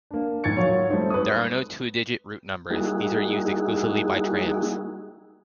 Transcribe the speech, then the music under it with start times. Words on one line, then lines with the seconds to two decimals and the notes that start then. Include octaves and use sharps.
There are no two-digit route numbers - these are used exclusively by trams.
0.11 A#3 D4
0.44 G#2 D#3 G#6 A6 C#7
0.56 F#3 F4 C#5
0.89 G3 A3 C4 D#4
1.10 B4 D#6
2.71 G3 A#3 D#4 E4 F#4 G#4